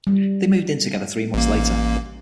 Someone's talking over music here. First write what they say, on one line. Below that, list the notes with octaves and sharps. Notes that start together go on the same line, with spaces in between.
They moved in together three months later.
G3
A1 A#3